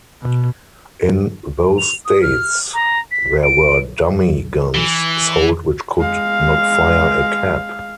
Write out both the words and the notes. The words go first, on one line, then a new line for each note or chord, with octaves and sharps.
In those states, there were "dummy" guns sold which could not fire a cap.
B2
F7
D#6
F6
A#5
B6
D7
E3
G#3 F5